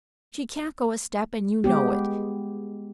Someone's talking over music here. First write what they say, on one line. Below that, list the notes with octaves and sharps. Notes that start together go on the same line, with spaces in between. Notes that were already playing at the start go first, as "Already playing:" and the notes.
She can't go a step, and you know it.
G#3 B3 G4